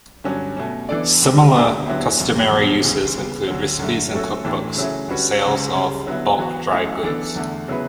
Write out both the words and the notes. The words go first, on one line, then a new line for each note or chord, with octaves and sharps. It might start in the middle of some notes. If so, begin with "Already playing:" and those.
Similar customary uses include recipes in cookbooks and sales of bulk dry goods.
G2 D3 F#3 C#4
B2 A3 C#4
E3 B3 D4 A4 D5
C#2 B2 G3
C#2 B2 A3 D4 G4
D3 F#3 B3 E4 G4
F#2 E3 G3
E2 B2 G3
D2 C#3 E3 G3
C#3 G3 B3
D2 D3 F#3
F#2 D3 A3
F#3 A3 C#4 F#4 A4
A2 E3 A3 D4 G4
C#3 F#3 A3 C#4 E4
D3 G3 C#4 F#4 B4
C#2 C#3 F#3 C#4
C#3 G3 C#4
D3 F#3 B3 E4
E3 B3 F#4
F#3 A3 C#4 E4 A4
E3 B3 D4 A4
E2 D3 A3
C#3 F#3 B3 E4 B4